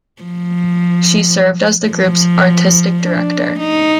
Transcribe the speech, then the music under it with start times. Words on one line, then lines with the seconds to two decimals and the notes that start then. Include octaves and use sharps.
She served as the group's artistic director.
0.23 F3
1.91 F3
3.03 D4
3.59 D#4